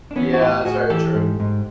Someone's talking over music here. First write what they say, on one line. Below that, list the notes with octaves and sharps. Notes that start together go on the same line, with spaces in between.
Yeah, that's very true.
D4
E3 B3 C#4
F#4
A2 F4 G4
A2 F#4 G#4
E3 G4 A4
G#2
G#2